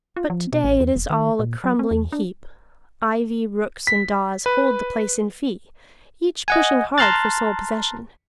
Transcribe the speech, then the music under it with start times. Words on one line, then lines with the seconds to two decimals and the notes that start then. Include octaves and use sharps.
But today it is all a crumbling heap; ivy, rooks and daws hold the place in fee, each pushing hard for sole possession.
0.16 F4
0.30 F3
0.52 B2
0.64 A1
0.80 E2
0.95 E1
1.10 D#3
1.39 A#2
1.64 F#3
1.79 C4
1.91 E2
2.12 D4
3.87 B6
4.46 B4
6.48 D#5 F#5 G#5
6.98 A5 A#5 C6 F6 F#6 A6